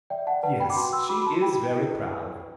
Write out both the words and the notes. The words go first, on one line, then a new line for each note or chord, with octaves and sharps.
"Yes, she is very proud."
D5 E5 G5
F#5 A5
B4 F#5 A5
G5 B5
D6
F#4 A5 C6
C6 E6
F#4 B5 D6
A5 C6
E4 G5 B5
E4
B4